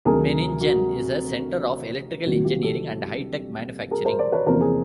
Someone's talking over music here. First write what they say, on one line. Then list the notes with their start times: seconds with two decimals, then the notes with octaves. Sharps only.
Meiningen is a center of electrical engineering and high-tech manufacturing.
0.05 D2 C3 D#3 F#3 G#4 A#4
0.61 F#4
2.26 C2 C3 D#3 F#3 A#3 F#4
2.44 F4 G4
2.63 G4 A4
3.91 G#4 A#4
4.05 A#4 C5
4.19 C5 D5
4.32 B4 C#5
4.46 E2 C3 F3 A#3 A#4 C5
4.60 G#4 A#4